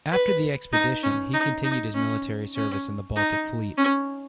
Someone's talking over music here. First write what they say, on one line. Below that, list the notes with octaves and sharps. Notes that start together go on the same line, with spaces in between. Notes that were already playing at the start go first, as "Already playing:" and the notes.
After the expedition, he continued his military service in the Baltic Fleet.
B4
D#4
C#4
D#4
D#4
C#4
C#4
D#4
C#4